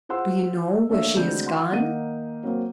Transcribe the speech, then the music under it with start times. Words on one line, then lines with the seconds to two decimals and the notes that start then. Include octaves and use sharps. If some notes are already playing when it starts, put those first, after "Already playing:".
"Do you know where she has gone?"
0.09 F4 G#4 C5 F#5 C6 E6
0.89 A3 A#3 D4 A4 C#5 E5
1.16 D2 G#3 C4 D5 G6
1.46 F#5 C6
1.71 D#3 A#3 D#4 F#5 D#7
2.43 F#3 A#3 C4